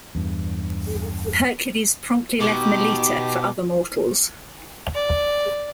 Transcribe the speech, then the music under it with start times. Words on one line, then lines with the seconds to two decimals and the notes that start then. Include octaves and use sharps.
Hercules promptly left Melite for other mortals.
0.15 E2 G2
2.40 B2 D#4 G4 D6
4.94 D5